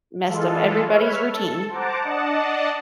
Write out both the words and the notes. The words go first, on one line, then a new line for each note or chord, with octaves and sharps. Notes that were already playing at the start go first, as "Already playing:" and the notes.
messed up everybody's routine.
E3 G#3 F4 A4
B4 C#5 E5 F6
A4
C5 F#5 A5 A#5 D6
D4 D5 D#5 F#5 A5